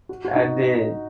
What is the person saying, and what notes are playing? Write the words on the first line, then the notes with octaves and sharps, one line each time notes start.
I did.
F#4
F#4
D#4
F#4